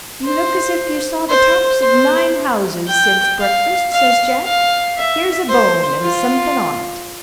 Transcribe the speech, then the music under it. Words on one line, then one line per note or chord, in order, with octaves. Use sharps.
"You look as if you saw the tops of nine houses since breakfast," says Jack; "here's a bone and something on it."
C5
C5
C5
G5
F5
F5
F5
E5
C5
F4